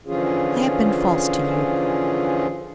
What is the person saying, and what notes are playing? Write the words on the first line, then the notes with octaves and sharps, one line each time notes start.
I have been false to you.
D3 E3 F3 C#4 F4 G#4